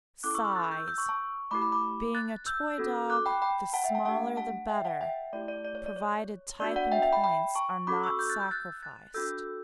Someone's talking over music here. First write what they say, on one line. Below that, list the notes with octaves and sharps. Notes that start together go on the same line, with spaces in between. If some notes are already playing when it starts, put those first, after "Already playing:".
SIZE--Being a toy dog the smaller the better, provided type and points are not sacrificed.
C#4 E4 A4 D6 F#6
C#6 E6
C#6 E6
F#6 A6
E6 G6
E6 G6
C#6 E6
A5 C#6
A3 E4 G4 B5 D6
B5 D6
B5 D6
F#6 A6
E6 G6
C#4 F#4 A4
D6 F#6
G5 B5
G5 B5
F#5 A5
E5 G5
F#5 A5
A3 D4 G4 F#5 A5
F#5 A5
E5 G5
F#5 A5
E5 G5
A3 E4 G4 D5
D5
D5
C#5
D5
C#5
B3 D4 F#4 D5
D5 F#5
E5 G5
E5 G5
G5 B5
G5 B5
A5 C#6
C#4 F#4 A4 B5 D6
C#6 E6
E6 G6
F#6 A6
E6 G6
F#6 A6
F#6 A6
D4 F#4 A4 E6 G6